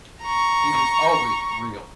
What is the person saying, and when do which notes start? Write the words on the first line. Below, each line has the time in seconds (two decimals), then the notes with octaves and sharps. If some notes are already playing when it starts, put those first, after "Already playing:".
He was always 'real'.
0.22 A#5 C#6